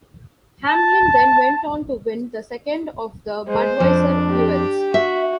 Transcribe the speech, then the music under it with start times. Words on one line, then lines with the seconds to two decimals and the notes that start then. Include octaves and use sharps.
Hamlin then went on to win the second of the Budweiser Duels.
0.66 A5
3.48 G#3 C5
3.80 F2 D4
4.29 G4
4.94 F#4 E5